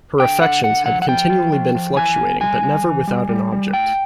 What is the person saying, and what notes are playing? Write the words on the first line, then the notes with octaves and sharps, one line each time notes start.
Her affections had continually been fluctuating but never without an object.
D3 G5
D3 F#5
D3 F#5
F3 F#5
F#5
F3 G5
F3
F3
F3
E3 G#5
B3
G3 G#5
G3
E3
G3
G3
G3
A2 G5